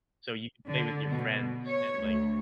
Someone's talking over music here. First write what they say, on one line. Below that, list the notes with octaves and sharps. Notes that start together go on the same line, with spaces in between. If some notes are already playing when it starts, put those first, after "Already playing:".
So, you can play with your friends and, like,
D3
B2
C#5
D2